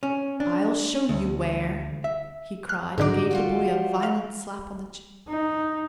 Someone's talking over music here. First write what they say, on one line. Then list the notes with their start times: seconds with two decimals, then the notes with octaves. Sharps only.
"I'll show you where!" he cried, and gave the boy a violent slap on the cheek.
0.03 C#4
0.40 D4
1.09 D2
2.04 E5
2.69 F6 F#6
2.98 G#2 D3 D4 D#4 F#4 D5
3.31 G3 F4 F#4
4.03 F5
5.27 D#4